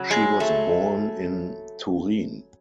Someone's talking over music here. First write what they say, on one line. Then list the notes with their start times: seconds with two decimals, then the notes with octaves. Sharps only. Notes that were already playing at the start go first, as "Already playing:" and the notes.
She was born in Turin.
Already playing: C#3 F#3
0.11 G#3
0.40 A3